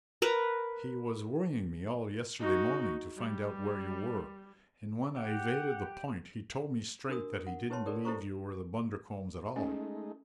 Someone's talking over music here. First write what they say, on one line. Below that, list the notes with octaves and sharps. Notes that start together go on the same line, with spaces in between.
He was worrying me all yesterday morning to find out where you were, and when I evaded the point he told me straight that he didn't believe you were the Bundercombes at all.
A#4 B4 A#5
D#4 F#4
G3
G4 F#5
D4 F#4 A#4 D#6
F#5
E4 G4 B4 C#5 A5 C6
G4 A4 A#4 D5
E4 G4 A4 C5 A#5 C#6
G#3 A3 C#4 D#4